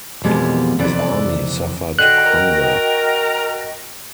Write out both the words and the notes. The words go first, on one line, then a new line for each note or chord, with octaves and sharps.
His army suffered hunger.
F2 B2 E3 G3 G#3 A#3
F2 C3 E3 B4 D5
D3 F#4 D#5 G5 F#6
A#4